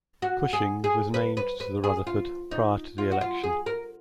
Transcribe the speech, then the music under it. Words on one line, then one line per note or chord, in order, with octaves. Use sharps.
Cushing was named to the Rutherford prior to the election.
F#4
G#4
G#4
B4
B4
B4
G#4
F4
D#4
F4
F#4
F4
G#4
A#4